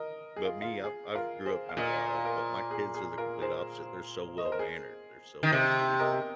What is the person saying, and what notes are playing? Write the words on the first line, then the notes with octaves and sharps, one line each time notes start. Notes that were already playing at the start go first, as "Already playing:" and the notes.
But me, I've I've grew up kinda wild, but my kids are the complete opposite, they're so well mannered, they're so well they're, you know,
Already playing: A#4 D#5
G#4
F4
F4
G#4
F4 A#4
G#4 C5
F5
A#2 A#4 D#5
F4 A#4
G#4
G#4
F4 A#4
G#4 C5
D#5
C5
A#4
G#4
D#3
C3
A#4 D#5